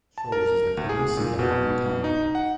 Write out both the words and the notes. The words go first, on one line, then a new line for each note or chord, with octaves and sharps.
Shoals is the county seat of Martin County.
A5
A#4
D2
G#4
A#2
B2
D#4
F#5